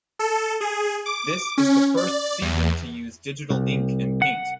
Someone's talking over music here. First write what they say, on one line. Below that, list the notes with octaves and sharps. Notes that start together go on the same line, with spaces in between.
This is the first season to use digital ink and paint.
A4
G#4
D6
C#4
D5
E2
C2
F#5